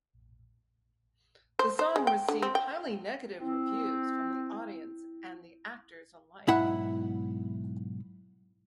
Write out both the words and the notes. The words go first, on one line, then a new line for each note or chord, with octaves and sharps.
The song received highly negative reviews from the audience and the actors alike.
C5
C5
G#3
G5
D3
C4
G5
C4 E4
B1 G#2 E4 F#5